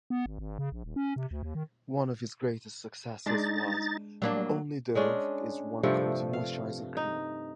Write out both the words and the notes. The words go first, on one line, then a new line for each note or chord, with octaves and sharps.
One of his greatest successes was "Only Dove is one-quarter moisturizing cream".
B3
G#1
G#1
C#3
A#1
D#1
C#4
C3
D2
D#2
D#3
G#3 D4 D#4 A6
F#3 G3 A#3 D4
G#3 C#4 D4
G2 C3 F3 A3
F5
D#4